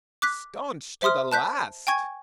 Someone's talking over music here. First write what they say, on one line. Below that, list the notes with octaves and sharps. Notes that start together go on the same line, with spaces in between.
Staunch to the last!
D6 F#6 B6
C5 E5 C6 D#6 F6
A5 F#6 G6 B6
G5 G#5 C#6 G#6